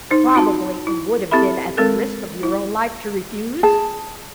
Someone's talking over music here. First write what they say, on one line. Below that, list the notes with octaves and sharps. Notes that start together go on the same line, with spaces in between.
"Probably it would have been at the risk of your own life to refuse?"
D#4 C5
C4 D#4 F4 F#4 A5
E4
C4 E4 G4 A4 E5 B5
G#3 C4 A4 A#4
E4
G#4 A5